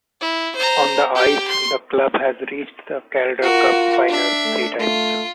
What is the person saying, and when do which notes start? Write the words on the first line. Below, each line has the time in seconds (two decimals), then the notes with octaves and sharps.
On the ice, the club has reached the Calder Cup Finals three times.
0.21 E4
0.55 C5 A#5
1.15 G4 G5
1.48 C6
3.42 F4 F#4 A#4
4.08 D4 E5
4.45 A3
4.79 A3 F4